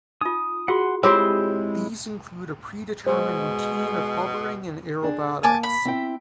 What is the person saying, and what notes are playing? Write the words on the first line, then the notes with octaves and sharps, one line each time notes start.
These include a predetermined routine of hovering and aerobatics.
D#4 F4 D#6
F4 F#4 G#4 F#5 C6
G#3 C4 E4 F4 G4 G#4 C5 C#5
B2 G#3 C5
D4 G#4
A#3 G#5 A5 D6
B5
C4 E4 G5